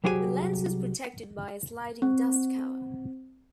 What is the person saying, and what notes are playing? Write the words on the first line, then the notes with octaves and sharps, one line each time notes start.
The lens was protected by a sliding dust cover.
C2 F#3 G4 G#4 C5 G#5
C4